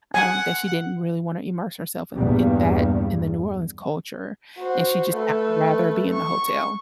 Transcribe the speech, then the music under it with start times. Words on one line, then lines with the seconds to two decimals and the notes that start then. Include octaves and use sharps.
um, that she didn't really wanna immerse herself in in that in the New Orleans culture, and she just had rather be in the hotel.
0.14 F#5 G#5
2.15 E2 G2 A#2 G3
4.60 F#4 C5
5.14 A3 B4
6.13 C#6